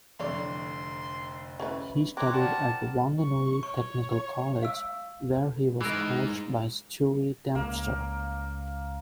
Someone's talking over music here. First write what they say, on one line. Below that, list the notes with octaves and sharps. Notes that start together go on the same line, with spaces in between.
He studied at Wanganui Technical College, where he was coached by Stewie Dempster.
F1 F2 D3 E3 C#5 D5 C6
C#4 E4 B4
C4 C#5 A#5 D6 F#6
A#4 D5 F#5 A5
C#6
C#5 C#6
F5 E6
E3 G#3 D#4 A#4
C#2 A#3